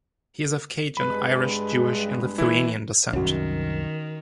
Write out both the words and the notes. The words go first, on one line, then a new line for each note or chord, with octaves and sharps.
He is of Cajun, Irish, Jewish, and Lithuanian descent.
G2 G#3 B4 B5
E3 E4
C2 F#2 D#3 C#4 F#4